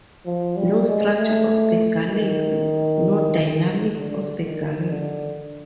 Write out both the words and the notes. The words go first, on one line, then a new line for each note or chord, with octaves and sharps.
No structure of the galaxy, no dynamics of the galaxy.
F3
G3
G#3
A3
D#3
D3
D#3
D3